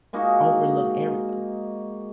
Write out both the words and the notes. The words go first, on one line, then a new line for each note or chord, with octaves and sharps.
overlooked every, uh
G#3 A#3 D#4 F#4